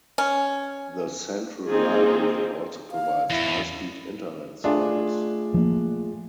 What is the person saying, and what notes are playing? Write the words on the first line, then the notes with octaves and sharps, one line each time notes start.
The Central library also provides high speed internet service.
C#4
A#3 C4 D#4 F4 G#4
F5
E2 E4
A3 D4 F4 G#4
F3 A#3